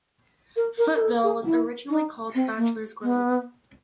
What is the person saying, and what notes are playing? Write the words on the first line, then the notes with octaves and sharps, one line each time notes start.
Footville was originally called Bachelor's Grove.
A#4
A#4
A#4
A4
G#4
E4
D#4
C4
A#3
B3